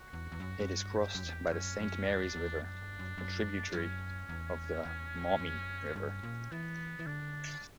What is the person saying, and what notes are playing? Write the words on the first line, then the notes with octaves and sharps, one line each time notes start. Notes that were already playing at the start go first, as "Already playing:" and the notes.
It is crossed by the Saint Marys River, a tributary of the Maumee River.
Already playing: F#4
E2
E2
F#2
F#2
G2
F#2 G4
G2
F#2
E2
E2
F#2 C#4
F#2
E2 D4
E2
F#2 D4
G2
F#2
F#2
F#2 C#4
E2
E2
F#2
E2
F#2
G2 C#4
A#2
E3 B3
E3
D3 D4